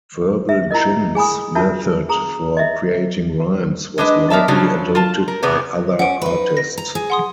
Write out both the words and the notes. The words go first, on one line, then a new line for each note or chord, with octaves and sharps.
Verbal Jint's method for creating rhymes was widely adopted by other artists.
E5
E4 F4 A#4 D#5
G#4 G#5 B5 D#6
D4 F4 F#4 A#4 E5 A5
G#4 A#5 D#6
D#5 E5
G#3 D4 B4 D#5
B3 A#4 D5 E5 A5
C#3 F3 F#3 D4
F4 A5
A#4
C3 E3 B3 G#4
C#4 F#5 D7
D#4 B4
A#6
A#5
G#4
F#5 C6 D#6